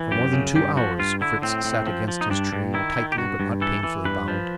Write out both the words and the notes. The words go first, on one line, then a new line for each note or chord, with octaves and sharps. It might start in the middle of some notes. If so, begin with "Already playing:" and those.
For more than two hours Fritz sat against his tree, tightly but not painfully bound.
Already playing: E3
F#2 G4
C#3
G2 G4
F3 F#4
G2 F4
D3 E4
A2 C4
A2
F3
F3
D#4
G2 D4
G2
D#3 E4
D#3
G4
G2 F#4
G2
E3 A4
E3
G2 B4
F3